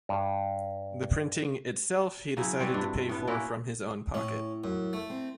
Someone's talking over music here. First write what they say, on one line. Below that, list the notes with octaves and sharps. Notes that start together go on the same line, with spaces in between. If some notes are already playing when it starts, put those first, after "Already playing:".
The printing itself he decided to pay for from his own pocket.
G2
C#3 F#3 E4
G3 C4 F#4 B4
G2 D4 E4
A2 B3
A#3 C#4 E4 F#4
A2 C#4
F#2
A3
C4